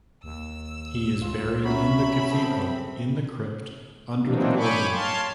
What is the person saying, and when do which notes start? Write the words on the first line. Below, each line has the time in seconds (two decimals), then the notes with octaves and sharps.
He is buried in the Cathedral, in the crypt, under the organ.
0.24 D#2 E6
1.21 C#2 F4
1.64 F#3 C#4 E5 B5
2.31 C4 G#4 A4
4.23 E3 F#3 A#3 C4 D4 D#4
4.57 C#5 G5 G#5 B5 C#6 D6
4.92 C#5 F5 A5 C6